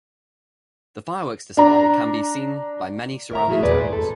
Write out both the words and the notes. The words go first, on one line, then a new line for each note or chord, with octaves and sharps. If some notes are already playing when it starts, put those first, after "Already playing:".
The fireworks display can be seen by many surrounding towns.
D4 A#5
A#4 E5 A#5
F3 A3 E4 F#4 G#4 E5
E2 A#2 G#4 B4 D5
G#2 C5
A4